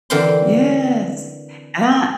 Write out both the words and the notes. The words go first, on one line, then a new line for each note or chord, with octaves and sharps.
Yes, and I
D3 E3 C4 A#4 G5 C6